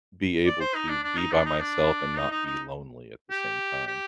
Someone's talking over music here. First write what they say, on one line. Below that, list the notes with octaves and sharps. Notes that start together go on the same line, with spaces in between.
be able to be by myself and not be lonely at the same time.
D5
C5
D#4
D4
D4
D#4
D4
D#4
D4
D#4
D#4
D#4
G4
G4